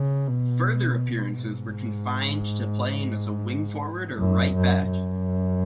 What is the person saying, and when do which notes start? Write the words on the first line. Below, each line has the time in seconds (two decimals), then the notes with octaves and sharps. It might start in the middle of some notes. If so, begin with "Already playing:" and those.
Further appearances were confined to playing as a wing-forward or right back.
Already playing: C#3
0.27 B2
1.34 G#2
4.18 F#2
4.54 F#2
4.91 F#2